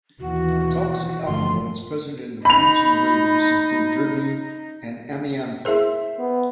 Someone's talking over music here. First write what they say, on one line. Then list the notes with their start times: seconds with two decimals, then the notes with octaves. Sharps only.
The toxic alkaloids present in the roots and leaves include jervine and amianthine.
0.21 D#2 B2 E3 F#4
1.25 G1 F3 A3 C6
2.45 D#4 B5 F7
5.65 E4 G#4 A#4 C5 E5
6.19 B3